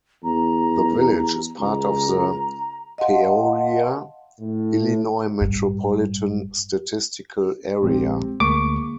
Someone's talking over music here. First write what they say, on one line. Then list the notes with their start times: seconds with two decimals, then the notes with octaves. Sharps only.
The village is part of the Peoria, Illinois Metropolitan Statistical Area.
0.24 E2 A#5
1.59 C#2 A#5
2.98 D#5 F5 F#5 A5 C6
4.40 A2
5.41 A1 G2
7.83 A#1 G#3 C4 G4
8.40 D2 G#3 A#3 C#6 D6